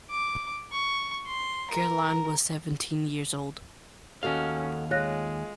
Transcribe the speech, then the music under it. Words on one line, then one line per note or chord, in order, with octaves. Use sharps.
Caroline was seventeen years old.
D6
C#6
C6
A#4
D#2 C#4 F#4 A4 D#5 F5
G#3 F4 C#5 F#6 A#6